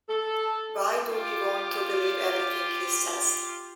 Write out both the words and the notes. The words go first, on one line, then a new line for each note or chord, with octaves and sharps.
Why do we want to believe everything he says?
A4
F4 G4